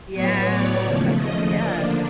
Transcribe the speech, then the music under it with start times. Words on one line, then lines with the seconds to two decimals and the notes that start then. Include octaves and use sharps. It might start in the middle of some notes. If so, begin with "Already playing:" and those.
Yeah, oh, yes.
0.13 A2 F#3 B3 C#5
0.49 D5
0.83 D#2 C#3 F3 A3
1.18 D#5
1.52 D3 F3 A#3 D4